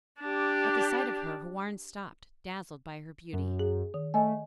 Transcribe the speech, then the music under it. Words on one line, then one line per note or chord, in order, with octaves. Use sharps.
At the sight of her Houarn stopped, dazzled by her beauty.
D4 G4
F#2
G#4
D#3
A3 D#5 G#5